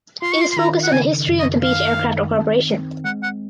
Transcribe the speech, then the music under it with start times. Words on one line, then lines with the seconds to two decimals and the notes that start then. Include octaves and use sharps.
It is focused on the history of the Beech Aircraft Corporation.
0.22 F4 C6
0.32 C#6
0.41 C6
0.52 C6
0.57 D#3 A#5
0.83 F#5
0.92 C#3 G#5
1.27 F#2
1.39 D#5
1.63 D#3 F5
1.98 D#3
2.34 C4
2.70 C4
3.05 G#3 F#5
3.23 F#5